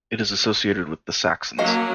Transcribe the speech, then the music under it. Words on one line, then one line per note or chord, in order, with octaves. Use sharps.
It is associated with the Saxons.
F#3 A#3 C#4 A4 D#5 F5